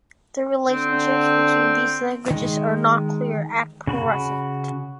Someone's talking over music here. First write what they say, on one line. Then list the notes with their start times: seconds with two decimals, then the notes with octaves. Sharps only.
The relationships between these languages are not clear at present.
0.69 D3 C4
2.30 D#3 G#3
3.87 C#3 F#4 B5